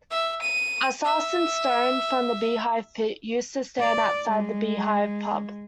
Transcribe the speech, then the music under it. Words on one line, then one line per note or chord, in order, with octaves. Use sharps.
A Sarsen stone from the Beehive Pit used to stand outside The Beehive pub.
E5
D#7
E5
D5
G#3